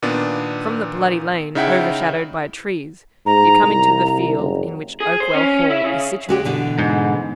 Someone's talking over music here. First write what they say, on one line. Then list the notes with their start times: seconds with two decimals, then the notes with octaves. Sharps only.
From the "Bloody Lane," overshadowed by trees, you come into the field in which Oakwell Hall is situated.
0.02 A#2 D#3 B3 D4
1.55 C#3 D#4 E4 E5 F#5 G5
3.26 G#2 A#5
3.62 C2
4.38 F#1
5.00 G#4
5.20 C5
5.34 C#4
5.70 E4
5.84 C#3
6.29 G#3 F#4 G4
6.45 B2 D3 E3
6.79 G#2